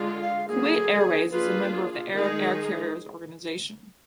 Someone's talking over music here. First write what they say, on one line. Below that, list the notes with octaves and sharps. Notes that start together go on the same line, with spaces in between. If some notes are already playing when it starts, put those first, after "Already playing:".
Kuwait Airways is a member of the Arab Air Carriers Organization.
Already playing: D3 G#3 D4 F4
F5
D3 F#3 A#3 G#4
A#3 D4 F4 G#4 B4
D#3 G#3 D#4 G#4